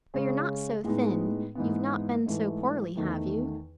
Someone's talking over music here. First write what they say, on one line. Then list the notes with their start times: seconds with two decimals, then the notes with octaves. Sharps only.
But you're not so thin--you've not been so poorly, have you?'
0.14 C#3 G#3 C#4
0.84 A2 G#3 B3 D#4
1.55 G#2 E3 B3
2.26 G#2 E3 A3
2.96 E2 D#3 A3 D#4